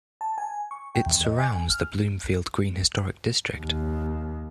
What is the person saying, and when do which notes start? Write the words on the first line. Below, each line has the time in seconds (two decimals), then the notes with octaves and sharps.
It surrounds the Bloomfield Green Historic District.
0.21 A5
0.38 G#5
0.71 C#6
0.95 G5
1.06 E2
1.25 D#5
1.39 G#5
1.56 G#5
1.70 F6
3.57 D#2